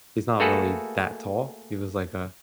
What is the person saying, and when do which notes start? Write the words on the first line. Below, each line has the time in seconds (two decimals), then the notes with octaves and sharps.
he's not really that tall. He was like a
0.40 A3 A#3 F#4 G#4 A4 B4